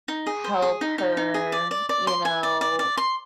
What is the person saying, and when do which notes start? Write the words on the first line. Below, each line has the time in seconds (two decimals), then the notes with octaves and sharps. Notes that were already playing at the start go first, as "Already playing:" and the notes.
help her, you know,
0.08 D#4
0.27 G#4
0.44 C5
0.62 G#4
0.81 D#4
0.98 D#4
1.17 D#4
1.34 G#4
1.52 D5
1.71 D5
1.89 D5
2.07 C6
2.25 G#5
2.43 D5
2.61 D5
2.79 D5
2.97 C6